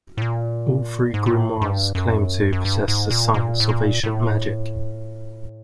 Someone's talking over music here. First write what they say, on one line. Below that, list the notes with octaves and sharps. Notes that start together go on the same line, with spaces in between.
All three grimoires claim to possess the science of ancient magic.
A2
A#2
G#2
A2
G2
F#2
F#2
G2
G#2
A#2
A#2
A2
A#2
A2